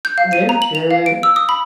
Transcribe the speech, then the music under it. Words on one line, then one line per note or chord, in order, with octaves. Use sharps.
That's good.
G6
F5
D#7
A#5
F#7
F7
F5
D7
E6
D#6
B5